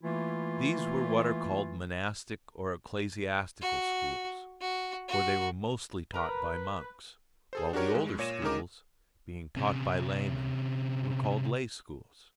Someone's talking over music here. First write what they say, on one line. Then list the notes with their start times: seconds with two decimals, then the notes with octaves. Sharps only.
These were what are called monastic or ecclesiastical schools, for they were mostly taught by monks; while the older schools, being taught by laymen, were called lay schools.
0.02 E3 A3 A#3 E4 F4
3.62 F#4
4.61 F#4
5.08 F#4
6.14 A#4 B4 A#5
7.53 G#4 A4 C5
7.73 D4 F#4 G4 A#4 C#5
7.94 G2 G#3
8.19 A#2 C#5 A#6 D#7 E7
8.42 C#3 G#3 D#4 A#4 D6
9.57 C3 C#4